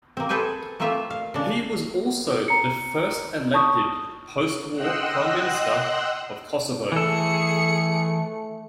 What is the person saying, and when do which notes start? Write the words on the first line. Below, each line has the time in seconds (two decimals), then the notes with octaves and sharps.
He was also the first elected post-war Prime Minister of Kosovo.
0.17 A#3 C4
0.29 G#4 A4 B4 C5 G5 G#5
0.80 A3 A#3 C4 F4 E5 F5
1.10 F5
1.34 C#3 D4
2.48 A#5 C#7
3.54 A5 C#6 D#6
4.75 D#5 F#5 G5 C6 E6 F#6
6.92 E3 A3 G#4 A4 C#7